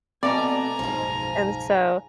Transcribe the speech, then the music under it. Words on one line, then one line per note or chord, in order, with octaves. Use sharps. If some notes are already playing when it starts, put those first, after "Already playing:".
And so,
B2 A3 C4 D5 G#5 A#5
F#1 B1 G#2 F3